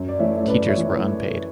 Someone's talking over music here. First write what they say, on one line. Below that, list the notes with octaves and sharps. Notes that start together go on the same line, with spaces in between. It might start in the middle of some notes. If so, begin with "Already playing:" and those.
Teachers were unpaid.
Already playing: F#2
D5
E3 A3 C#5 E5
F#2 B4 D5
C#5 E5
E3 A3